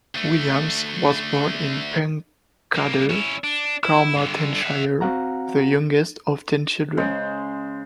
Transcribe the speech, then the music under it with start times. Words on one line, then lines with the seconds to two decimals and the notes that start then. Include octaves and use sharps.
Williams was born in Pencader, Carmarthenshire, the youngest of ten children.
0.15 D2 A3
2.75 G3 A#3
3.10 C#4 E4
3.44 D4
3.83 E4
4.16 G2 D3
4.62 E5 F#5
5.01 C4 F#4 F5 F#5 A#5
6.97 C#3 G#3 C5